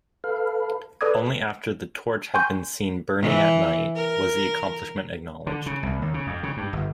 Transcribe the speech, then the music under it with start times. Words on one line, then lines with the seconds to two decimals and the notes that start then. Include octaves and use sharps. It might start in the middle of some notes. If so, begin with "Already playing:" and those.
Only after the torch had been seen burning at night was the accomplishment acknowledged.
0.24 A4 B4 F5
1.01 A4 B4 D5 D6 D#6 G#6
2.34 G5 G#5 C6 C#6 G6
3.20 E3
3.96 A#4
5.47 D3
5.66 C#3
5.83 C2
6.02 D#2
6.14 C#3
6.27 F2
6.43 C#3
6.57 G2
6.73 G1